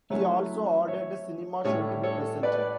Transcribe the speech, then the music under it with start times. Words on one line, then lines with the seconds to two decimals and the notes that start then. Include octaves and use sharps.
He also ordered a cinema show to be presented.
0.10 F#3 A3 C#4 E4 C#5 E5
0.87 C#5 E5
1.65 A2 G3 C#4 E4 A4 C#5
2.03 A4 C#5
2.43 B4 D5